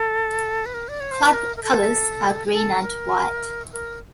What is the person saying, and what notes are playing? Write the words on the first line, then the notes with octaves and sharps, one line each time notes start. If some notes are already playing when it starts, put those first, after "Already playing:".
Club colours are green and white.
Already playing: A4
B4
A#4
D5
C#5
C5
B4
A#4
A#4
A4
A4
A#4
A#4